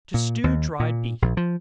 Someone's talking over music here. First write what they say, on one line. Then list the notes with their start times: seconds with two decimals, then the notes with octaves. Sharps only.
To Stew Dried Beef.
0.14 A#2
0.44 D#2
0.80 A#2
1.22 A#1
1.37 F3